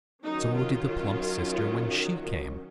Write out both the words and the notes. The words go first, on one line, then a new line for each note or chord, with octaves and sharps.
So did the plump sister when she came.
D#3 F#3 C#4 D#4
F4